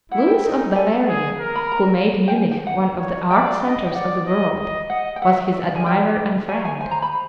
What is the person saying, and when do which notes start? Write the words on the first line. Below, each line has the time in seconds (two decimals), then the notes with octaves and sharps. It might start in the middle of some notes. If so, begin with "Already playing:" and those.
Louis of Bavaria, who made Munich one of the art centres of the world, was his admirer and friend.
0.11 E4 F#5
0.27 G5
0.44 D#4
0.75 A4 G#5
1.08 G#4
1.40 A#4
1.56 B5
1.71 A#5
2.28 G5
2.36 G#5
2.52 G5
2.67 F#5
2.99 C#5
3.31 D5 G5
3.46 F5
3.63 D#5
3.87 G5
3.95 D5 F#5
4.27 D#5
4.59 D#5
4.90 D#5 F#5
5.16 G5
5.22 E5 F#5
5.54 D5
5.76 G#5
5.86 G5
6.49 C#5 G#5
6.65 G#5
6.81 C5 G#5
6.91 A#5
7.02 B5